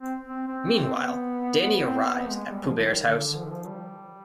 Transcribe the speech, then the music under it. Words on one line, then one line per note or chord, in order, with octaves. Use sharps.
Meanwhile, Danny arrives at Pooh Bear's house.
C4
C4
C4
C4
B3
C4
B3
G#3
G3
F3
D#3
D3
F3
D#3
F3
G3